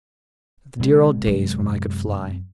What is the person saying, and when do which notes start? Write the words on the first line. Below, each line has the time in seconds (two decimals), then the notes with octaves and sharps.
"The dear old days when I could fly!"
0.80 C3 G#3 C4
1.27 F#2